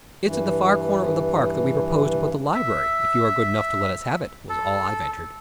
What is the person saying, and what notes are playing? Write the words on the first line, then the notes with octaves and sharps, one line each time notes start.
"It's at the far corner of the park that we propose to put the library if you are good enough to let us have it," was all I ventured.
G2 E3
E5
A4